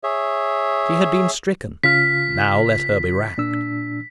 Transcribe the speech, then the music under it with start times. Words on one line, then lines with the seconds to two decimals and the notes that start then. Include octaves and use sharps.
She had been stricken: now let her be racked.
0.03 G#4 C#5 E5
1.84 C#3 F4 F6 B6
3.38 A#2 D4 E6